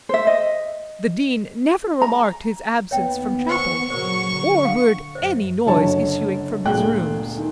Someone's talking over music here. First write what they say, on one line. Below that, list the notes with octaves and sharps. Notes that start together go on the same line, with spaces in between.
The Dean never remarked his absence from Chapel, or heard any noise issuing from his rooms.
C5 E5
D#5
A#5
D#2 B3 C#5 E5 G5
C5 G#5 C#6 E6
A#2 C#3 F#3 A#4 C5
D3
F5 F#5
F#2 C5 E5
F#1 F#2 D3 C#5 A5
G1 D2 A#2 G#4 G5 F#6
D#3